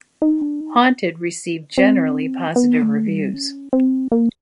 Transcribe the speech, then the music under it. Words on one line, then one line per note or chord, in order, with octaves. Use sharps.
"Haunted" received generally positive reviews.
D#4
D4
D#4
C4
B3
A3
G3
C#4
C4
A#3